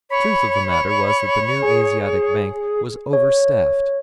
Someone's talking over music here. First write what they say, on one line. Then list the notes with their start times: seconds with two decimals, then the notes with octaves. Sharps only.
The truth of the matter was that the New Asiatic Bank was over-staffed.
0.10 C#5 B5
1.62 G#4
3.13 C#5